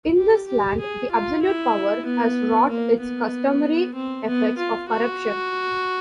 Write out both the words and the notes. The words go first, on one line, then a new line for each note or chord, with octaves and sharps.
In this land the absolute power has wrought its customary effects of corruption.
G4
G4
G#4
F4
E4
B3
A#3
B3
C4
B3
F4
F#4